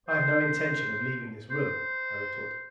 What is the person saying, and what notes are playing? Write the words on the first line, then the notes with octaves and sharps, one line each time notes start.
"I have no intention of leaving this room," I retorted.
C5
C5